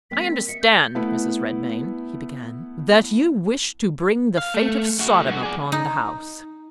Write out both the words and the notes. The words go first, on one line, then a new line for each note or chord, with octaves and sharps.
"I understand, Mrs. Redmain," he began, "that you wish to bring the fate of Sodom upon the house."
G#3 A#3 C4 B6
D#5 E5 C#7
G6
A3 B3 E4 B4
F5
A3
A3 F#4
G2 F#4
G#4 D5
D#4